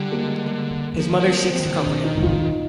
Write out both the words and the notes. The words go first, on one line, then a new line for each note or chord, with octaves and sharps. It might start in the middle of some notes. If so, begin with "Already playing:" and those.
His mother seeks to comfort him.
Already playing: D3 G3
A#3
G#3
G#3
F3 A#3
D#3
F3
C4
F3 C4
D#3
D3
D#3
D4
D#4
F4
D#4